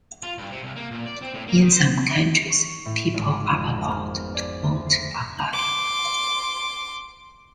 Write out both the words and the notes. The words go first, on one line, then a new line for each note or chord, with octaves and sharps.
In some countries people are allowed to vote online.
F4
G2
C3
C2
A#3
A#2
D5
C4
A2
A#3
D#3
C5
C#6
A2
G#1
D6
F2
A#4
F6
B3
D5
D2
C7
C6 D6